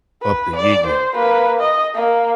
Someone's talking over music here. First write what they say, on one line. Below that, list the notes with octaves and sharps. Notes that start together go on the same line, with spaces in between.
up the ying-yang.
B4
D5
C5
A#3 B4
D#5
A#3